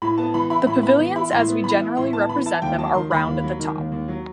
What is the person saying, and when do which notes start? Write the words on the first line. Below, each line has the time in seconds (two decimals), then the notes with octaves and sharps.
The pavilions as we generally represent them are round at the top.
0.02 A2 B5
0.18 B3 A5
0.34 E3 B5
0.50 E4 B5
0.66 A2 B5
0.83 B3 B5
0.99 E3
1.15 E4 B5
1.31 A2 C6
1.48 B3
1.64 E3 B5
1.80 E4
1.97 A2 C6
2.13 B3 A5
2.29 E3 B5
2.46 E4 A5
2.62 D#2 G5
2.78 F#3 A5
2.94 D#3 C6
3.11 D#2 B5
3.27 D#2
3.44 F#3
3.59 D#3
3.76 D#2
3.92 D#2
4.08 F#3